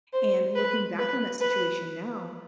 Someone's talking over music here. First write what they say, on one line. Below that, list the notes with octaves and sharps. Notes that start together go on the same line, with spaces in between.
And looking back on that situation now,
C5
B4
B4
B4